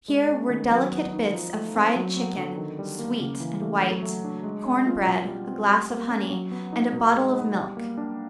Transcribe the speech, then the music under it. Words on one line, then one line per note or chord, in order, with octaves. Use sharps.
Here were delicate bits of fried chicken, sweet and white, corn-bread, a glass of honey, and a bottle of milk.
G#3
C#4
D#3
F#3
B3
D#4
F3
A3
C4
F#3
B3
D3
D#3
G3
A#3
C#3
E3
A3
F#3
A3
D4
G#3
C#4
F4
B2
G3
C4
G3
A#3
C#4
F#3
B3
D#4
B2
G#3
B3
G3
A#3
D4